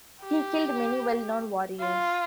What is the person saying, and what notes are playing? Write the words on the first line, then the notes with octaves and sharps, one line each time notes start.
He killed many well-known warriors.
G4
F4